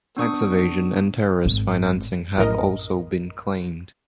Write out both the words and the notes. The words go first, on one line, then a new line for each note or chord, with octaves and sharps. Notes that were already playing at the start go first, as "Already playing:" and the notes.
Tax evasion and terrorist financing have also been claimed.
B3 D4 C#6 D#6
G#1
A#1 F#2 A2 A#4 D#5